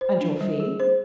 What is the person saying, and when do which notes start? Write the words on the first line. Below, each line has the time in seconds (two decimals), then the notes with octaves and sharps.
"And your fee?"
0.01 C5
0.21 D4
0.41 G3
0.60 G#4
0.80 C5